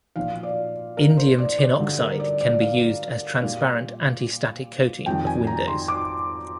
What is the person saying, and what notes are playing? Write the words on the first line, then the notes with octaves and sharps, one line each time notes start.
Indium tin oxide can be used as transparent antistatic coating of windows.
A#2 F3 F5
D5
A#4
C5
D5
D5
G2 D3 G3
A#4
D5
D5
F5
A#2 G3
F2 D#3 G3 G5
G#5
A#5
C6
D6